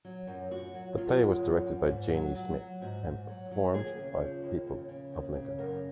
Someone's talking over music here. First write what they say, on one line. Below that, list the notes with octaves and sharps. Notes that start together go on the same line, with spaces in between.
The play was directed by Janie Smith and performed by people of Lincoln.
F#3
F#2
F#2 F#4
F#3
F#3 F4
F#2
F#2
F#2
G#2
F#3
F#3
F#3
G#2 F#4
G#2
F#3
F#3
D#2 G#4
C#3
F3
D#2
C#3
C#3
D#2
C#3
F#2 A#4